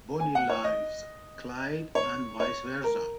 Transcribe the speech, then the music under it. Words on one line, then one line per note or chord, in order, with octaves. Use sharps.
Bonnie loves Clyde and vice versa.
G#5
F#5
C#5
D#5
C#5
C#5
A#4